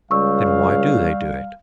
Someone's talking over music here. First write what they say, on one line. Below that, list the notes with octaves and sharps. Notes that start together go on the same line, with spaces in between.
Then why do they do it?
C#2 G3 F5 C#6 E6